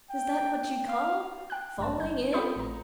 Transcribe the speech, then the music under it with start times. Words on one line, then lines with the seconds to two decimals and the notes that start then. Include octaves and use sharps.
"Is that what you call FALLING IN?"
0.10 G5
0.54 G5
0.88 F5
1.50 G5 F#6
1.78 A1 G2 A5
1.98 G1 G6
2.32 C4 F4 B5 D#6 G6 C#7
2.56 A1 A#5